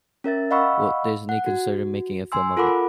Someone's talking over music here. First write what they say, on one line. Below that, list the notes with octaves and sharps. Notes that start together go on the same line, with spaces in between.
Walt Disney considered making a film of it.
C#4 A#4 E5 A6
D#5 F5 F#5 B5 C#6 E6
F#5
F#4
G#5 C6 E6
F4 A4 A#4 F#5 B5 D6